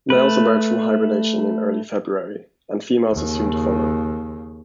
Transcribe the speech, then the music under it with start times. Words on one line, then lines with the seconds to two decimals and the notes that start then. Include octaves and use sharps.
Males emerge from hibernation in early February and females are soon to follow.
0.10 A3 B4
3.11 D#2 C#3